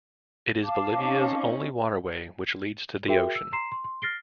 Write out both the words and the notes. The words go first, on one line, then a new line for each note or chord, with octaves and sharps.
It is Bolivia's only waterway which leads to the ocean.
F5 A5 D6
C4 C#4 D#4
F#4 G#4 A#4 E5 G5
E6
A#5 C6 C7 E7
C6
C6
F6 A6 A#6 C7 D7 G7